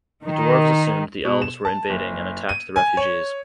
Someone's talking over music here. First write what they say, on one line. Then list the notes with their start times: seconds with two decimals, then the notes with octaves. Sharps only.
The dwarves assumed the elves were invading and attacked the refugees.
0.23 D#3
1.25 B2
1.42 E7
1.65 A5
1.89 F#1
2.49 D#7
2.76 G#5
2.97 C#5